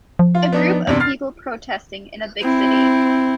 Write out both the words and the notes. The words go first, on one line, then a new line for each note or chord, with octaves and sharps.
A group of people protesting in a big city.
F3
F4
B3 D4 D#4
E2 C3 D4
F6 A6 C7
C4 E4